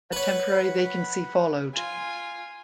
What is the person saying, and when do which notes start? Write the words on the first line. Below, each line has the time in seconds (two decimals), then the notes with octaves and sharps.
A temporary vacancy followed.
0.12 B4 C#5 F#5 B5
1.74 F4 G#5